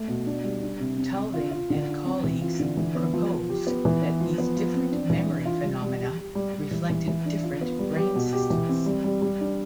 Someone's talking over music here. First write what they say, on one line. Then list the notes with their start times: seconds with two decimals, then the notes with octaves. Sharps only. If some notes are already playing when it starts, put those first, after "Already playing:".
Tulving and colleagues proposed that these different memory phenomena reflected different brain systems.
Already playing: A3
0.08 B2
0.26 D4
0.44 G3
0.62 D4
0.80 C3
0.98 C4
1.17 C4
1.34 F4
1.51 F4
1.70 D3
1.88 D4
2.06 C4
2.24 E3
2.41 F4
2.60 D3
2.77 E3
2.95 B3
3.13 F3
3.31 F3
3.49 G4
3.67 B3
3.85 E3
4.03 B3
4.20 F3
4.38 B3
4.57 F3
4.75 C4
4.92 D4
5.10 E3
5.28 D4
5.46 F4
5.64 G3
5.82 G3
6.00 G4
6.17 G4
6.35 G3
6.54 G3
6.71 E3
6.90 E3
7.08 E3
7.26 D4
7.43 F4
7.61 B3
7.79 G3
7.97 G4
8.15 B2
8.33 G4
8.50 E3
8.69 C4
8.86 G3
9.04 G3
9.22 G3
9.41 D4